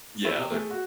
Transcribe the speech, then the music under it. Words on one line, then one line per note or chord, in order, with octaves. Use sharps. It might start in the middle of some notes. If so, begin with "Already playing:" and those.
Yeah, other
E4
C3
A3 G#4
F#4